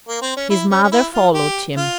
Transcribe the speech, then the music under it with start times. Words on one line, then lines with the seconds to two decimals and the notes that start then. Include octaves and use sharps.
His mother followed him.
0.08 A#3
0.22 C4
0.37 C#4
0.50 E4
0.71 C#4
0.84 C#4
0.92 E4
1.13 F4
1.34 G4
1.76 F4